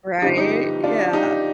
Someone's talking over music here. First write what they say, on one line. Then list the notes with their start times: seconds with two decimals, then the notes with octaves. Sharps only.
Right, yeah.
0.22 G1 G2 D3 F3 D#4 G4
0.38 D#4 G4
0.83 D4 F4
1.13 D#4 G4